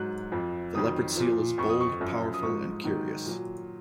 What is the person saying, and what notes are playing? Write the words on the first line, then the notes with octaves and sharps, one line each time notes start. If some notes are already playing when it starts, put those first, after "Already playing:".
The leopard seal is bold, powerful and curious.
Already playing: G#2 F#3 F#6
F2 F3
F2 D#3 F#3 D#6
A#2 F3
F2 F3 C#6
D#6
C#6
F#2 F3
D#6
G#2 F3 C#6
G#2 D#3 F#3
A#2 F#3